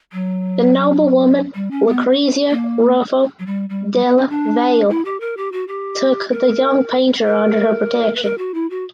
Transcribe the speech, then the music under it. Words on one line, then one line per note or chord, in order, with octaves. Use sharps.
The noblewoman Lucrezia Ruffo Della Valle took the young painter under her protection.
F#3
G3
C#4
B3
A#3
F#3
G3
G3
G3
B3
C#4
D4
E4
G4
A#4
G4
F#4
G4
A#4
A#4
B4
A#4
F#4
E4
F#4